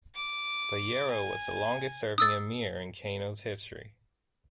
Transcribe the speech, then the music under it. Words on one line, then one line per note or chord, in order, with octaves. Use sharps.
Bayero was the longest-serving emir in Kano's history.
D6
G#5
D#6 E6 A6